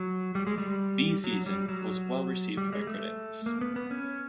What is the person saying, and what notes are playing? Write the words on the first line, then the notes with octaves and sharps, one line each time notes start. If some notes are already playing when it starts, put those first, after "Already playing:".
"Bee Season" was well received by critics.
Already playing: F#3
G3
G#3
G3
F#3
G3
F#3
G3
G#3
A3
A#3
B3
B3
C#4